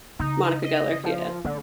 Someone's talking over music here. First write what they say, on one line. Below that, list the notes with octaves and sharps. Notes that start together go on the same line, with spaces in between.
Monica Geller, yeah.
C#3 D#4
D#5
F3
D3 A3